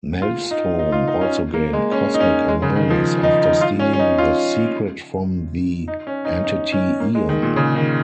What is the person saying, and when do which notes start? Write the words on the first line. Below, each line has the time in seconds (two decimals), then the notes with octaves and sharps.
Maelstrom also gained "cosmic awareness" after stealing the secret from the entity Eon.
0.22 F4
0.51 D#4
0.79 D#4
0.92 F4
1.07 D#4
1.21 C#4
1.54 A#3
1.73 G#3
1.92 C#4
2.14 D#4
2.20 C#4
2.48 G#3
2.62 C#3
2.76 D#3
2.90 F3
3.23 D#4
3.43 D#4
3.61 F4
3.79 C#4
3.93 C#4
3.99 D#4
4.18 F4
5.88 D#4
6.07 C#4
6.25 D#4
6.44 D#4
6.72 C#4
7.00 A#3
7.15 G#3
7.29 D#3
7.43 A#2
7.56 C#3
7.76 D#3